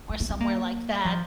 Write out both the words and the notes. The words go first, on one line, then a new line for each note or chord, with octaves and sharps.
or somewhere like that,
A3
A#3
C4
A#3
F3